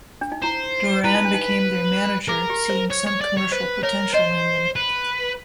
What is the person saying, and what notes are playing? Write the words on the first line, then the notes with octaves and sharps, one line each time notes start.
Doran became their manager, seeing some commercial potential in them.
D4
D#4
E4 C5
E4 B4
D#4
D4
D#4
G#4 A#4
G4
C5
C#5
C#5
D5
C#5
B4 C5
A#4 C#5
C5 D#5
B4